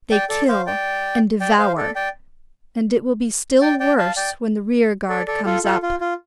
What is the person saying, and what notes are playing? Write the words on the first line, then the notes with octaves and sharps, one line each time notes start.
They kill and devour--and it will be still worse when the rear-guard comes up.
D5 G5
A4 D5
C5 F5
D5 G5
D5 G5
C5 F5
A4 D5
D5 G5
D5 G5
D5 G5
F5 A5
D5 G5
A4 D5
A4 D5
F4 A4
F4 A4
F4
F4